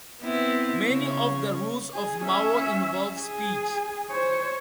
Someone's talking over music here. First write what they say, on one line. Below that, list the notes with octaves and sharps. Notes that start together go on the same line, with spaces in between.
Many of the rules of Mao involve speech.
B3 C4 E4
C#3 C#5
G#4
C#4 E5
G#4
C5 C#5